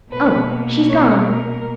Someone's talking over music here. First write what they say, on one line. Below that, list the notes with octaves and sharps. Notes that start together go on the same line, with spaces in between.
"Oh! she's gone!"
B2 A#3 B4
C#5
A#4